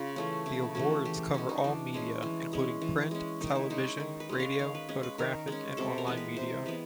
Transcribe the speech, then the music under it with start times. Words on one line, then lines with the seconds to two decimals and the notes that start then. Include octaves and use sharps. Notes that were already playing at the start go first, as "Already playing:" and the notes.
The awards cover all media including print, television, radio, photographic and online media.
Already playing: C#3 F4
0.16 E3 A3 C#4
0.46 C#3 E4
0.75 E3 A3 C#4 F#4
1.05 E3 G4
1.34 G#3 C#4 F#4
1.49 D#4
1.64 E3 D4
1.94 G#3 C#4
2.22 E3
2.53 G#3 C#4
2.82 E3
3.11 G#3 C#4
3.41 D#3 D#4
3.55 E4
3.70 G#3 C#4 D#4
3.86 E4
4.00 D#3
4.20 B4
4.29 G#3 C#4
4.40 F5
4.59 D#3 F5
4.75 B4
4.89 G#3 C#4
5.03 B4
5.18 D#3 A#4
5.48 G#3 C#4
5.77 C3 A4
5.98 A#4
6.07 E3 G#3 B3
6.17 B4
6.37 C3 C5
6.66 E3 G#3 B3 B4